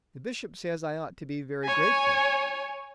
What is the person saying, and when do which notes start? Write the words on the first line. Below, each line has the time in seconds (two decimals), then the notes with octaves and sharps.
The Bishop says I ought to be very grateful.
1.64 C#5 G#5